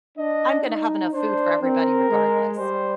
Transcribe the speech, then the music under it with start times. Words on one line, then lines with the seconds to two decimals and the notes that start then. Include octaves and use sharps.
I'm gonna have enough food for everybody regardless.
0.17 D4 D#5
0.65 D#4
1.13 D4 C5
1.61 C4 A#4
2.09 G#3
2.57 G3 C5